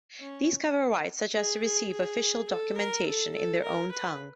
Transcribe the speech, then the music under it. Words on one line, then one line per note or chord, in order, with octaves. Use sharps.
These cover rights such as to receive official documentation in their own tongue.
C#4
G#4
G#4
G#4
A4
A#4
A4
A4
A#4
B4